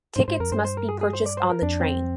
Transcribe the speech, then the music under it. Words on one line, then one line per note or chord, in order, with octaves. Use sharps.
Tickets must be purchased on the train.
G#2 C5
G#2 C5
F2 A#4
G2 C5
C5
A#4
G#4
G#4
C5
D5
C5
A#4
F2 D4
C4